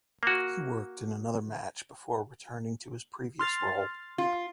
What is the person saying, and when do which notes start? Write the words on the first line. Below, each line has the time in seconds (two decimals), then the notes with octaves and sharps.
He worked in another match before returning to his previous role.
0.23 A#3 F#4
3.39 C6 F6 A6
4.18 F4